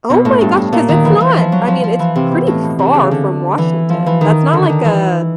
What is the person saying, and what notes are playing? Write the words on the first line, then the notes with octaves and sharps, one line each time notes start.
Oh my gosh, 'cause it's not I mean, it's pretty far from Washington, that's not like a
B2
A2
G2
A2
A#2
D#3
E3
E3
F3
F#3
F3
F3
E3
C3
B2
A2
B2
C3
C#3
D3
E3
F3
E3
D#3
D3
D#3
E3